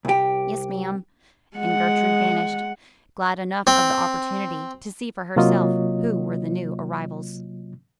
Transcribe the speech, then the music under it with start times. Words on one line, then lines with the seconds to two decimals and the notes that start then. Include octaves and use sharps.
"Yes ma'am," and Gertrude vanished; glad enough of the opportunity to see for herself who were the new arrivals.
0.05 C2 G4
1.56 G#3 F#5
3.67 C4
5.36 C3 F#3 A#3 F4 C#5 D#5